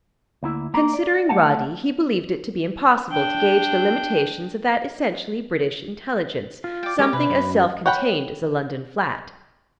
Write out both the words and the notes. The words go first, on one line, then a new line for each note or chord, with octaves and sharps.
Considering Roddy, he believed it to be impossible to gauge the limitations of that essentially British intelligence--something as self-contained as a London flat.
D2 A#3 E4
A#3 A#5
D5
A3 F#5 A5
D4 G5
F4
D5 G5
G#3 B3 G4 A#4
C3 B4
F#2
C#5 F#5 G5 A#5 B5